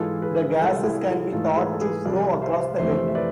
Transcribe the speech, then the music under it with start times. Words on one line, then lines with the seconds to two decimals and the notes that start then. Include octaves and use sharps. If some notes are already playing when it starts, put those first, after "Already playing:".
The gases can be thought to flow across the head.
Already playing: G#2 E3 G#3 F4 A4
0.22 G#4 B4
0.59 C2 C3 G#3 F4 A4
0.83 E4 G#4
1.08 F4 A4
1.32 G#2 E3 A3 F4 A4
1.56 G#4 B4
1.72 A4
1.81 G#4 B4
2.05 C2 C3 F3 D5 F5
2.42 C5 E5
2.78 F2 C3 E3 A3 C5 E5
3.08 E5
3.15 B4 D5